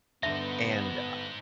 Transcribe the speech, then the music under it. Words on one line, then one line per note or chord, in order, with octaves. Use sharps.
And, uh,
G2 D3 B3 D#4 C5 E5